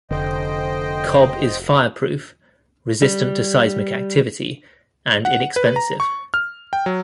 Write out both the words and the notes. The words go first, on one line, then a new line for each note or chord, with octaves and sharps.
Cob is fireproof, resistant to seismic activity, and inexpensive.
F1 D3 C5 D#5 G5
G3
F#5
B4
A#5
C#6
F6
G5
F#3